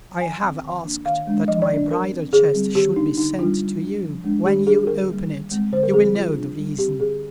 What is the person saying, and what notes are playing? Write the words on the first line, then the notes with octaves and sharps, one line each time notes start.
I have asked that my bridal chest should be sent to you: when you open it, you will know the reason.
F3 G#5
C4
D#3
A#3 D4
D#3 F5
G#3 D4
F3 D#5
D5
A#3 D4
F3 A#4
C4
D3 G#4
G3 C4
D#3 G4
A#3 D4 D#4
D3 D#4
G3 D4 F4
G3
D4
F3
G#3 D4
D#3 G4
G3 D4 G#4
D3 A#4
G3 A#3
D#3
G#3 C4
D3 C5
A#4
F3 C4 G#4
G3 F4
D4
G3
C4 G4
D3 G#4